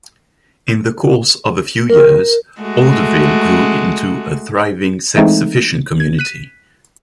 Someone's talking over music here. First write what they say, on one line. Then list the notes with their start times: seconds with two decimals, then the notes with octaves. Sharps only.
In the course of a few years, Orderville grew into a thriving, self-sufficient community.
1.90 A#4
2.61 G#3 A3 F#4
5.16 E3 G#3 A3 C4 D#4
6.00 G#6
6.19 F#6 B6 D#7